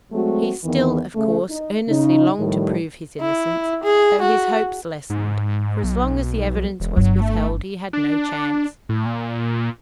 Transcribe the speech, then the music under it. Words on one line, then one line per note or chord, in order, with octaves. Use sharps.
He still, of course, earnestly longed to prove his innocence, though his hopes lessened, for as long as the evidence was withheld, he had no chance.
F#3 G#3 A3 C4 F#4
E2 D#3 E3 B3
C#3 A3
D#4
C#3 D#4
A2 D#3 F3 G3
E4
G#4
F#4
G#2
B1
E1
G1 G2 F#3
A3
D4
A2
A#2